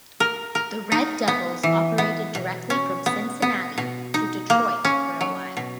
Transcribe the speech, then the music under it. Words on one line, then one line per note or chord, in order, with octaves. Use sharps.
The Red Devils operated directly from Cincinnati to Detroit for a while.
A#4
A#4
D#4
B3
E3
B3
B2
C#4
B3
B3
B2
D#4
A#3
C#4
F#3
B2